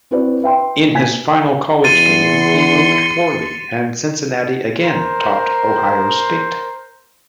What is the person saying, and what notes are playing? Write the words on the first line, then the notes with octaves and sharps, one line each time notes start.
In his final college game, he moved poorly and Cincinnati again topped Ohio State.
C4 E4 F#4 B4 C5 D5
B4 E5 G5 C6
A#2 G#5 G#6 B6
E2 C6 A6 C#7 D#7
A#4 C5